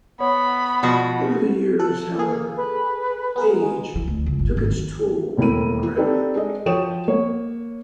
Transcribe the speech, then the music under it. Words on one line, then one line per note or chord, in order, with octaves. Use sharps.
Over the years, however, age took its toll on the ground.
B3 C#5 B5
B2 F3 G#3 F#4
F3 A4 F#6
A#3 G#4 A4
B4
B3 G#4 A#4
G#3
E3
D2
C#2
G1
G#1
D#3
E1 D#2 A3 E4 A#4 D#7
C4 D4 D#4 G4 A4 B4
G#3 D4 D#5
F3 F#4 C#5 G5 D#6 E7
A#3 C#5